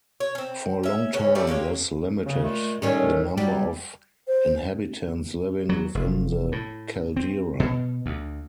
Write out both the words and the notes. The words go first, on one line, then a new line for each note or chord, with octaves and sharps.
For a long time, this limited the number of inhabitants living within the caldera.
C#5
C4 C#4
C#4 E5
C#3 E3 C#4
G3 A3 F#4 D5
G#3 A#3 G4 C#5
C#3
A#2 G#3 A3
A2 D#3 G3 C#4 C#5
F#3 G3 D5
C5
F#3
F1
A2
C4
B2
D2